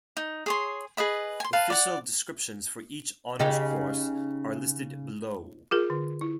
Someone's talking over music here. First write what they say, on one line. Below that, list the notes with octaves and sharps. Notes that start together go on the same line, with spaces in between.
Official descriptions for each honors course are listed below.
D#4
G#4 C#5 C6
G#4 B4 D#5 B5
G#5 C6
B4 F5 A5
D5 F#5
C#3 D#4 G4
F4 G#4 A#4
D3
E4